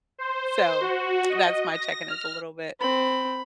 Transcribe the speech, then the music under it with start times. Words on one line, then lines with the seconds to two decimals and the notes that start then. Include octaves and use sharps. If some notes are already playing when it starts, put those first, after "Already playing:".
So, that's my check-in is a little bit,
0.18 C5
0.51 C5
0.81 F#4
1.29 D#5
1.73 A#6
2.08 F6
2.81 C4 B5